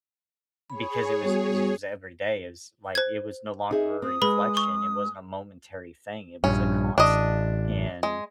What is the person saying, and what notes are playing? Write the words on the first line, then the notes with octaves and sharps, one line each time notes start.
because it was it was everyday is like, it was no longer a reflection. It wasn't a momentary thing. It was a constant. And
G#4 C#5 B5
G3 B3 F#4
C5 G#6
D#4 G#4 E5
C4 D#6
G#3 B4 B5
C#6
A#1 G2 C#4
A1 D4 D#5
G#3